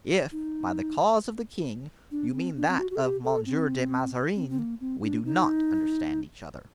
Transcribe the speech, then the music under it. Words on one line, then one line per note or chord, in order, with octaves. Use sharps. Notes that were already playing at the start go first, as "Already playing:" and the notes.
"If by the cause of the king you mean that of Monsieur de Mazarin, we do not understand each other."
D#4
D4
C4
D4
C4
F#4
F#4
A4
G4
A4
C4
C4
C4
A#3
C4
D4
D#4